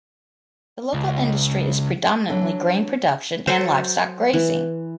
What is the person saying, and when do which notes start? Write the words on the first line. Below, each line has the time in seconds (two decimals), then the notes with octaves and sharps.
The local industry is predominantly grain production and livestock grazing.
0.94 C#2
2.29 E3 F#3 D4 A4 B4
3.47 F#3 A4 C5 C#5
4.33 E3